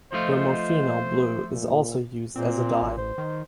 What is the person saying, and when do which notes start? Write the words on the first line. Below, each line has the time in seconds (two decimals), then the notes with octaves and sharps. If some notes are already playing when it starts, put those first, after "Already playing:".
Bromophenol blue is also used as a dye.
0.13 F3 A3 F4 C5 D#5
1.51 A#2
2.36 A#2 C4
2.82 A1
2.98 C5
3.18 D#3